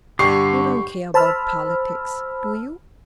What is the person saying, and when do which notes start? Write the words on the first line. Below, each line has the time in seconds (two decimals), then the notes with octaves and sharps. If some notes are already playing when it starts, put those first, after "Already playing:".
"You don't care about politics, do you?"
0.19 G2 D3 G4 C#6 C7
1.14 C5 A5 B5 E6 F6